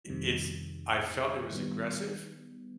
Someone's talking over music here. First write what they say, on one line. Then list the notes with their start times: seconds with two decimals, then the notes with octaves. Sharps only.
it's I felt it was aggressive.
0.06 F2 C3 D#3 G3
1.51 D#3 G3 B3